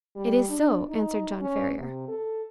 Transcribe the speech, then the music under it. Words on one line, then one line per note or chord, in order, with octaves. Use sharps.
"It is so," answered John Ferrier.
G3
D4
D#4
C#4
C3
A4